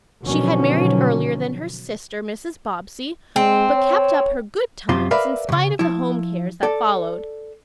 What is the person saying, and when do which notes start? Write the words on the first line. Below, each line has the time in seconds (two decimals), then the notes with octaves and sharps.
She had married earlier than her sister, Mrs. Bobbsey, but kept up her good times in spite of the home cares that followed.
0.24 B2 D3 D#3 F3 F#3 C#4
3.36 G#3 C4
3.73 C#5
4.89 F#2 C3 F4 C6
5.11 A#4 B4 D5 E5 F5 B5
5.49 D2 C#3
5.79 F3 E4
6.63 A4 D5